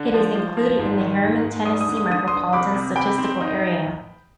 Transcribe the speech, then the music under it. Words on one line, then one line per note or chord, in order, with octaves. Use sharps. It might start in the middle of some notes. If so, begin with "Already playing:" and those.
It is included in the Harriman, Tennessee Micropolitan Statistical Area.
Already playing: D3
F3
F3
F3
G#2
D#3
G#2
G#2
G3 D#6
D#6
D3
D#6
D3 D#6
D3 C6 D#6
C2 B5 D6
C3
C3 G5 B5
C4
D#4